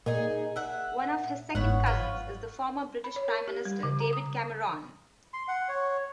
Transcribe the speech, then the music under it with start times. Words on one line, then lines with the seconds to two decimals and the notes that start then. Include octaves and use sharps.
One of his second cousins is the former British Prime Minister, David Cameron.
0.06 A#2 D#4 G#4
0.56 E5 F#5
1.55 G1 G#2 B3 C#5 F#5
1.86 F4 B4 C#5
3.04 B5
3.16 C#5
3.28 A#4
3.48 G4
3.65 G3
3.83 C#3
4.00 A#5
4.13 D#6
5.34 C6
5.48 F#5
5.68 C#5